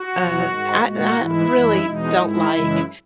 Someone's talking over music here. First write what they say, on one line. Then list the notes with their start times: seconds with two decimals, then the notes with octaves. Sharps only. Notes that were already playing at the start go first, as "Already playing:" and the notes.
uh, I n I really don't like
Already playing: F#4
0.15 E2 B2 F#3
0.49 G#2 D#3 G#3
0.82 A#2 G#3 F#4
1.15 G#2 E3 G#3 E4
1.49 F#2 E3 G#3
1.83 E2 B2 G#3 D#4
2.17 G#2 D#3 G#3 E4
2.50 F#2 C#3 E3 G#3